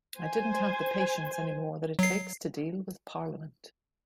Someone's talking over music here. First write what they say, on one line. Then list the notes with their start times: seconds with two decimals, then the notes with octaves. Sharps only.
I didn't have the patience any more that it takes to deal with Parliament.
0.19 C5 G#5
1.99 F#3 C7